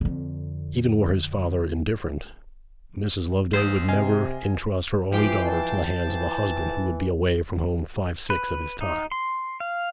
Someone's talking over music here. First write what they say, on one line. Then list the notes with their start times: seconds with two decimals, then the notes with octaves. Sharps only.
Even were his father indifferent, Mrs. Loveday would never intrust her only daughter to the hands of a husband who would be away from home five-sixths of his time.
0.01 F2 D3
3.53 A1 C5 D#6
3.88 C3 D#5 F5 G#5
5.12 E3 F3 G4 G5 C7
5.46 A5
6.07 E3
8.30 B4
8.81 D#4
9.12 C6
9.60 F5